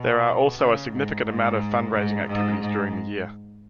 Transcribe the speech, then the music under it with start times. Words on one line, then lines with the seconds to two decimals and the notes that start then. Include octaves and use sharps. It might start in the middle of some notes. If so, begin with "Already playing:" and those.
There are also a significant amount of fund-raising activities during the year.
Already playing: B2
0.59 C#3
0.93 G#2
1.26 G#2
1.94 G#2
2.27 G#2
2.60 G#2